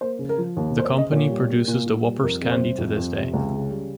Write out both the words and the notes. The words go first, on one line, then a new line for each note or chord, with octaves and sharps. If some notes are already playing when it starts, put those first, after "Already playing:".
The company produces the Whoppers candy to this day.
A#3 C5
C#3
A#4
F3
D#2
A#3 C5
C#5
C#3
D#5
A#2 C#5
G3
A#3
A#2
A#2
G3
F2 A#4
C3 A#4
C5
G3
F2
F2
C3
C#2
C#3
G3